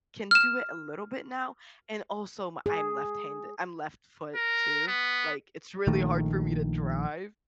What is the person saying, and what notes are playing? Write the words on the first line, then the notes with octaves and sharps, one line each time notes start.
can do it a little bit now, and also, I'm left hande I'm left foot too, like, it's really hard for me to drive.
F6 E7
G#4
A#4
B3
A#1 D#3 A3